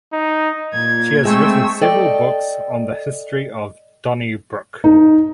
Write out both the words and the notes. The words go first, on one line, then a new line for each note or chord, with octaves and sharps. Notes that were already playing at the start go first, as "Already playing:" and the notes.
She has written several books on the history of Donnybrook.
D#4
A#2 G#6
G#3 A3 C4 C#6 E6
A4 D5 D#5 G5
D#4